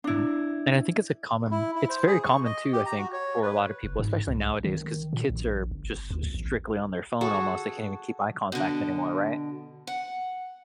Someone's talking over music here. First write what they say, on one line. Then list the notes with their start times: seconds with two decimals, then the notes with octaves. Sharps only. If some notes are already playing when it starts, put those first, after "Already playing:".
Mhm, and I think it's a common it's very common too, I think, for a lot of people, especially nowadays 'cause kids are just strictly on their phone almost. They can't even keep eye contact anymore, right?
0.04 D4 E4
1.51 E4
1.75 E4
1.89 C5
2.07 G#4
2.24 C#6
2.45 D#5
2.73 G4
2.86 A#5
2.98 F#4
3.13 C#5
3.42 B4
3.83 F#1
3.99 G#2
4.28 C2
4.64 D#3
5.13 A#2
5.30 A#1
5.71 G1
6.11 D#2
6.23 C#2
6.34 A1
7.21 F#4 G#4 A4
8.52 B2 D3
9.87 F#5